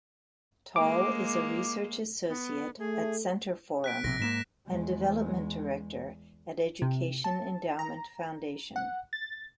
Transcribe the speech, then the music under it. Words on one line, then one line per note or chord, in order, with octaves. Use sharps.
Tall is a research associate at CentreForum and development director at Education Endowment Foundation.
G#3 A#3 D6
B3
A3 G#4
F#6 B6 D7
A#1 C3 A#6
G#2 A3 A#3 A#6 B6 E7
E2 G#3
C3
A5
A#5
F#5
A6